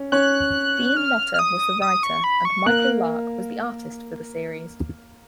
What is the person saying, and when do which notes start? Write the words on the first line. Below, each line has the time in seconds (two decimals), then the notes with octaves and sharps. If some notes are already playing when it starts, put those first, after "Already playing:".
Dean Motter was the writer and Michael Lark was the artist for the series.
Already playing: C#4
0.12 C#4 C#5 F#6
0.97 F6
1.34 F6
1.39 D#6
1.82 D#6
2.03 C#6
2.24 B5
2.45 C#6
2.66 A#3 A#4 F#6